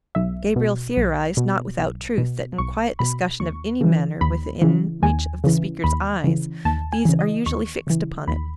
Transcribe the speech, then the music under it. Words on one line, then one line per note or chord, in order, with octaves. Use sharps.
Gabriel theorized, not without truth, that in quiet discussion of any matter within reach of the speakers' eyes, these are usually fixed upon it.
B1 E5
B2
B1
B2
B1
B2
B1 C#6
B2 B5
D#2 C#6
C#3 E3
D#2 B5
C#3 E3
D#2 G#5
C#3 E3
D#2 B5
C#3 E3
D#2 A5
G#5
C#3 E3
D#5
D#2 C#6
C#3 E3
D#2 B5